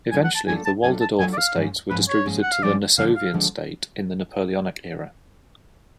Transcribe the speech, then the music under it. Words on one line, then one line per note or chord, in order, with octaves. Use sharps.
Eventually the Walderdorff estates were distributed to the Nassovian state in the Napoleonic era.
F#3 A3 D4 F4 A4 G#5
F#5
A5
F#3 A3 D4 F4 A4 G#5
A5
F#3 A3 D4 F4 A4 G#5
A5
F#3 A3 D4 F4 A4 G#5
D5
F5
G#2 F3 G#3 C#4
G#2 F3 G#3 C#4 B4
C#5
G#2 F3 G#3 C#4
F#5
F5
G#2 F3 G#3 C#4 D5
D3 F3 G#3 D4 F5
F5
D3 F3 G#3 D4